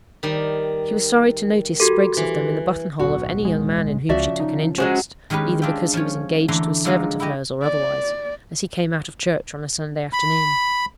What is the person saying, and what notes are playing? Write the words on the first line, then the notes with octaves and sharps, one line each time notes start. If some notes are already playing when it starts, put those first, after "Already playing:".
She was sorry to notice sprigs of them in the button-hole of any young man in whom she took an interest, either because he was engaged to a servant of hers or otherwise, as he came out of church on a Sunday afternoon.
D#3 G3
F#4 G4 A4
E3
D1 B1 F#4
G#3
C#2 C#3 F3 F#4 D5 E5
D#4
F#3 G#3 C#4 F#4 C5
D#3 G#3 C#4 G4 B4
G#3 D4 F4 E5 G5
F3 C#4 C#5
D3 E3 A3 A#5 C6
D3 F3 F#3 G#3 D#4 F5
E4 F#4 G4 D#5
D5
B5